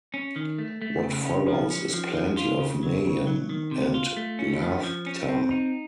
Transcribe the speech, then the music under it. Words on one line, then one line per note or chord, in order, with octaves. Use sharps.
What follows is plenty of mayhem and laughter.
C#4
D#3
A3
A3
C#3
C#4
F3
C#4
F3
F3
F4
C#3
F#3
C#3
F#3
D#3
C3
F4
A3
C#4
F3
F3
C#4
C4
D#4